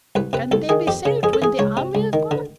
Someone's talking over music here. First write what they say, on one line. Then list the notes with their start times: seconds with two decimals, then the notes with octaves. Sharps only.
Can they be saved when the army has gone?
0.15 C2 B4
0.33 C3 B4
0.51 C2 A4
0.69 D#3 G#4
0.87 F2 G4
1.05 C#3
1.23 F2 G#4
1.33 A4
1.42 E3 G#4
1.59 C#2 C#5
1.77 C3
1.95 C#2
2.13 D#3
2.31 D3